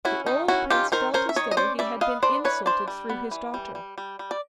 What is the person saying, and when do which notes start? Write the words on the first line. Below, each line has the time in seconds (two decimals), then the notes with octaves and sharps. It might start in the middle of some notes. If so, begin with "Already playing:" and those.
The old prince felt as though he had been insulted through his daughter.
0.05 C#4 E4 F#4
0.26 D#3 D#4
0.48 C#4 E4 F#4
0.70 D#3 F4 G4
0.92 D#3 A#4 C5
1.14 C#4 A#4 C5
1.29 E5
1.36 D#3 C#5 D#5
1.51 D#5
1.57 C#4 C5 D5
1.79 G3 D5 E5
2.01 B3 D#5 F5
2.23 D4 C5 D5
2.44 E3 B4 C#5
2.66 D4 C5 D5
2.88 G3
3.10 B3
3.31 E3
3.54 G3
3.75 G3
3.98 G3
4.19 G3
4.31 D5